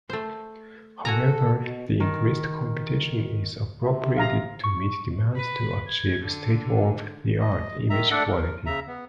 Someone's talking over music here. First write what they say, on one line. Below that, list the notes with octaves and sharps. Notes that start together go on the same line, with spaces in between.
However, the increased computation is appropriated to meet demands to achieve state-of-the-art image quality.
A3 C5
F#4 A4 G#5 A#5
B2
D#3
C3
F5 A#5
C#6
B4
G#6
D3
D#5
D#3 E5 A#5
A3 D4 A4 D5 F#5
A#4
C#3 E5 A#5
B3